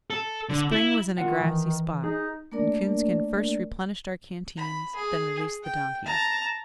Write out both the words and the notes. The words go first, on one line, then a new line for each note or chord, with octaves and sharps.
The spring was in a grassy spot, and Coonskin first replenished our canteens, then released the donkeys.
A4
D3
E4
D#3 F4 F#5
E3
D#4 G#4
A3 A#3 D4 A#4 D5
B5
G#4
G5
A5 A#5